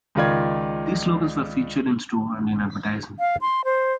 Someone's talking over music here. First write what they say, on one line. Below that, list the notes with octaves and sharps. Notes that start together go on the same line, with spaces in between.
These slogans were featured in-store and in advertising.
C#2 D#3 F4 D5 G#6
F5
C6
C5